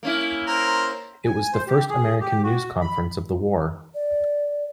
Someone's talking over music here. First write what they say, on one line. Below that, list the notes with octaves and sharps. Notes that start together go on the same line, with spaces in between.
It was the first American news conference of the war.
A#3 C#4 E4
A#4 C5
G#5
C5
G4
G#4
G4
F#4
B5
D5